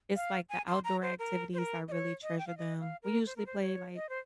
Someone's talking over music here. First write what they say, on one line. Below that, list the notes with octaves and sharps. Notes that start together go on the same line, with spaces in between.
it's like, the outdoor activities, I really treasure them, we usually play, like,
F5
G#5
C6
A#5
C5
A#4
C5
A#4
D#5
C#5
D#5
G5
F5
D#5
F5
A#4
C5
A#4
C5
C#5
D#5
C5